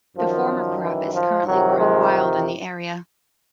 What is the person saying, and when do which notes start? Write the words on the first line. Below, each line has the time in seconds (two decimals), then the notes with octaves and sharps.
The former crop is currently growing wild in the area.
0.17 F#2 D#3 F3
0.81 E3
1.13 F3
1.46 F2 C3 D#3 F#3
1.79 G#3